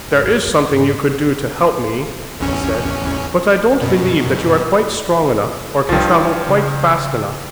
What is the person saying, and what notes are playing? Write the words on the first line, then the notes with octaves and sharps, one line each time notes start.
"There is something you could do to help me," he said, "but I don't believe that you are quite strong enough or can travel quite fast enough."
G#1
F2
G3
G#2
A1 E2 C#4
F#2 B2
C2 G2 F3
E4 C#7
C#3